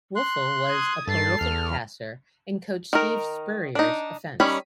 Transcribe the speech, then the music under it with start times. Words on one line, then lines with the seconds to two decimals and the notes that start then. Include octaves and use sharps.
Wuerffel was a prolific passer in coach Steve Spurrier's offense.
0.16 C6 F#6
0.67 D#6 G#6
1.07 G2 A4 A6 C7
1.41 E2 F6
2.93 D#3 A#4
3.75 D4 D#4
4.40 D#3 G3 C#4 B5